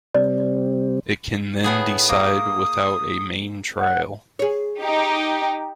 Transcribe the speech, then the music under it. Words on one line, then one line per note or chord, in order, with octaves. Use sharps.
It can then decide without a main trial.
C3 G3 C4 D5
A2 B3 G#4
A#3 D#6
F#5
G#4 C#5
D#4 G4